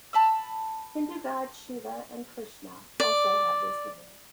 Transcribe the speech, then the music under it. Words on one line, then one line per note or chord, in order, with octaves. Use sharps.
Hindu god Shiva and Krishna also have this name.
A5 B5 E6
D5